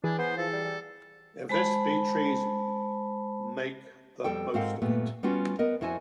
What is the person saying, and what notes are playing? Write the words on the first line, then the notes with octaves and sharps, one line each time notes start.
If this be treason, make the most of it.
E3 D4 G#4
B3 C5
F3 A4
G3
G3
G#3 C5 A5 B5
F2 G3 A4 G5
G#2 C4 A#4 F5 F#5
G2 A#2 A3 B3
G3 B3 C#4 F4 F#4
B3 A#4 D#5
F2 E4 F#4 C5 G#5